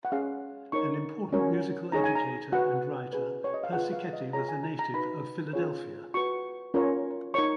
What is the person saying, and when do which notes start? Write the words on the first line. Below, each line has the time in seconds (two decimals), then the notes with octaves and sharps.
An important musical educator and writer, Persichetti was a native of Philadelphia.
0.05 F#5
0.12 C#4 G#4 C#5 F5
0.72 D#4 A#4 C#5 C#6
1.32 C#4 F#4 A#4 C#5
1.92 D#4 G#4 C#5 A#5
2.04 G#5
2.15 A#5
2.52 F#4 B4 F#5
3.13 C#4 G#4 B4
3.44 C#5
3.54 D#5
3.64 F5
3.73 F4 G#4 B4 F#5
3.93 F5
4.13 D#5
4.33 F4 G#4 C#5 A#5
4.49 G#5
4.63 A#5
4.79 A#5
4.94 D#4 F#4 B4 B5
5.53 C#4 F4 G#4 C#5
6.14 F#4 B4 C#6
6.74 C#4 F4 A#4 C#5
7.34 D#4 A#4 C#5 C#6